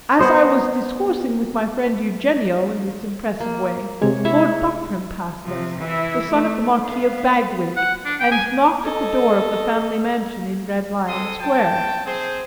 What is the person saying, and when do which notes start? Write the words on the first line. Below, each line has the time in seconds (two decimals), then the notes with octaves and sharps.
As I was discoursing with my friend Eugenio in this impressive way, Lord Buckram passed us, the son of the Marquis of Bagwig, and knocked at the door of the family mansion in Red Lion Square.
0.19 B3 C5 D#5
3.40 A#3
4.02 C3 G#3 C#5
4.25 E4 C#5 E5
5.46 C3 F3
5.79 E3 E4
6.31 A3
6.86 B3 F5
7.77 F#5
8.05 D4
8.20 G5
8.32 G#5
8.83 A4 D#5
11.07 G#3 C4 A4 C6 D#6
11.41 G5 A5
12.06 C4 G#4 C5